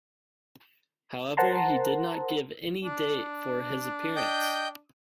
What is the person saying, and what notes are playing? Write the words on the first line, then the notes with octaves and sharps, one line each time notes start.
However, he did not give any date for his appearance.
A#4 C5 F#5 A5 A#5 C6
D4
D#5 G5 G6